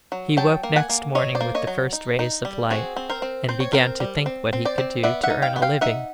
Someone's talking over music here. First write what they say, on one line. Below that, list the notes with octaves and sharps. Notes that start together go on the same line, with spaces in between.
He woke next morning with the first rays of light, and began to think what he could do to earn a living.
F#3
F#3 G5 A5
A#3
F#5 G#5
A#3
F#3 C#5 D#5
C5 D5
A#3
C#5 D#5
F#3
D#4
D#4
G3
C4 F#4 G#4
C4
A#4 C5
C4
C4 C5
C#5
C4 A#4 C5
G3
C4
C4
C5 D5
C4
B3 D5 E5
E5 F#5
D#4
F5 G5
B3
F5 G5
D#4 E5 F#5